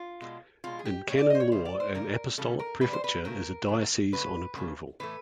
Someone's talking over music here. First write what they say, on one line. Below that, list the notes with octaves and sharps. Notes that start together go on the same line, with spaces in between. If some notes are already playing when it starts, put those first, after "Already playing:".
In canon law an apostolic prefecture is a diocese on approval.
Already playing: F4
B2 G#3
B2 G#3 F4
G#4
G4
B2 G#3 C#5
D5
D#5
C5
C#5
C#3 E3 G3 C5
D5
C5
C#3 E3 G3 A#4
C#3 E3 G3 A4
A#4
C#3 E3 G3 B4
C5
B4
C#3 F#3 A3 A#4
C#3 F#3 A3
C#3 F#3 A3 B4
C#3 F#3 A3
A2 E3 A3 B4